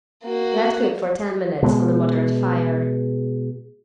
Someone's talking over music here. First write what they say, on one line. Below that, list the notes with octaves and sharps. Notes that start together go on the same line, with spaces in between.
Let cook for ten minutes on a moderate fire.
A#3 F#4
B2 G#3